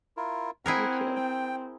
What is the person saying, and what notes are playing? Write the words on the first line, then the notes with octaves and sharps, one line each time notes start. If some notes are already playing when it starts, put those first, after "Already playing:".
you too,
E4 F4 A#4
C4 E4 G#4 A#4 F#5
G5